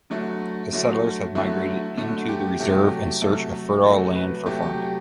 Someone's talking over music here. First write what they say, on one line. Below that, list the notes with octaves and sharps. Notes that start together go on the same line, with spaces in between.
The settlers had migrated into the reserve in search of fertile land for farming.
D3 F#3 A3
D3 F#3 A3
D3 F#3 A3 E4
D3 F#3 A3
G4
C3 F#3 A3 G4
C3 F#3 A3 A4
C3 F#3 A3 A4
B4
C3 F#3 A3 G4
G4
G4